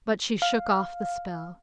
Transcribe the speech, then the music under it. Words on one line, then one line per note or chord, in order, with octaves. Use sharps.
But she shook off the spell.
F5